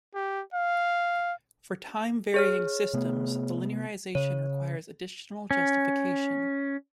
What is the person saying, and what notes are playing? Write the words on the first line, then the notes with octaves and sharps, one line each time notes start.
For time-varying systems, the linearization requires additional justification.
G4
F5
G#4 C#5 F6
C3 A3 B3
C#3 C#5
C#4